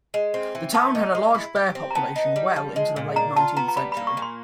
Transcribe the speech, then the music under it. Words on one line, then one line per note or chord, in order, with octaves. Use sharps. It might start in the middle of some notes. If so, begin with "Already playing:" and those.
The town had a large bear population well into the late nineteenth century.
G#3
C4
E3
B3 A5
D#4
G#3
E4
G4
C4
A#5
B3 A5
D#4
G3
F3
G#3
A#2
D4 A#5
F4 A5
B3 A#5
A#5
G3 B5
A#3 B5
C#6
A#2
C6